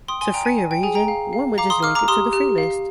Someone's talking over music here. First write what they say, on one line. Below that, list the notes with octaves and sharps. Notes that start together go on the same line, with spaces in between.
To free a region, one would just link it to the free list.
G5 C6 D#6
G#5 C6
D5 G5 A#5
G#5
D5 G#5
G5
G#4 G#5
G5 A#5
F5
F5
F5 A#5 D6
C6 D#6
F5 D6 F6
A#5 D6
G4 C6 D#6
G4
F5